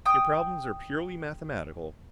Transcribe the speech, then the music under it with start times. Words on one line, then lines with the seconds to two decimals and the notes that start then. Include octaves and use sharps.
Your problems are purely mathematical.
0.06 G5 D#6 G6